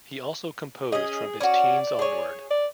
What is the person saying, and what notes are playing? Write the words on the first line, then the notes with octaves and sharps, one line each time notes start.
He also composed from his teens onward.
C#4 G#4 D#5
C#4 F#4 D5
G#4 C#5
D5